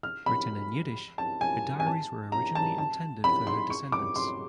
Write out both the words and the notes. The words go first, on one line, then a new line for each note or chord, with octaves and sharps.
Written in Yiddish, her diaries were originally intended for her descendants.
F6
B5
A5
G#5
G#5
A5
A#5
A5
A5
B5
C6
C#6
D6
C6